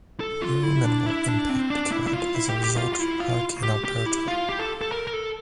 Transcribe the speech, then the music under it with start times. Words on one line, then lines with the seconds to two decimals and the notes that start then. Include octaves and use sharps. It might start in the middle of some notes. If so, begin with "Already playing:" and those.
Very minimal impact occurred as a result from Hurricane Alberto.
0.20 A4
0.42 F4
0.63 E4
0.84 D4
1.06 E4
1.28 D4
1.49 C4
1.70 D4
1.92 E4
2.07 E4
2.13 F4
2.35 E4
2.49 G4
2.63 G4
2.77 F4
2.93 F4
2.99 E4
3.20 F4
3.63 G4
3.85 G4
4.06 E4
4.28 F4
4.49 G4
4.59 A4
4.81 A4
4.92 A#4
5.07 A#4
5.13 A4